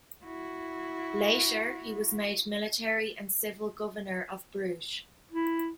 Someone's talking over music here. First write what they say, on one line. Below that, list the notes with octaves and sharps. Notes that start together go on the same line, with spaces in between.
Later, he was made military and civil governor of Bruges.
E4 F#4
E4